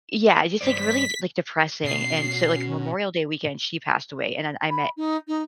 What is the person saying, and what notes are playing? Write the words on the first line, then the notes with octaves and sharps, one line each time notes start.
Yeah, it's just, like, really, like, depressing. And so, like, in Memorial Day weekend, she passed away. And then I met
G2 C5 D5 B6
B2 C#4 F#4 C7
B5
D#4
D#4